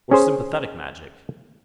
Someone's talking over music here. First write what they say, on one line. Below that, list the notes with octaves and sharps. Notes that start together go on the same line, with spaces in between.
"Or sympathetic magic?"
C#4 G#4 C5